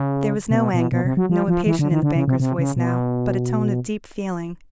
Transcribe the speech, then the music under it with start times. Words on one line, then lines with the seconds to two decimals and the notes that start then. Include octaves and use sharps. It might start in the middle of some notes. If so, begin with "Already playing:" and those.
There was no anger, no impatience in the banker's voice now, but a tone of deep feeling.
Already playing: C#3
0.51 C3
0.55 B2
0.74 B2
0.92 B2
1.05 C3
1.17 F#3
1.30 F3
1.48 F3
1.67 E3
1.79 D3
1.91 D#3
2.03 D3
2.15 C#3
2.28 C3
2.40 C3
2.59 C#3
2.77 B2